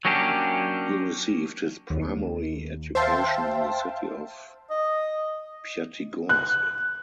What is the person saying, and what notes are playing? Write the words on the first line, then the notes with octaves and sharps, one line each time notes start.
He received his primary education in the city of Pyatigorsk.
F#3 A#3 C#4 D4 G4
D#2
C5 E5 F5 G5 A5 C6
D#5
F#6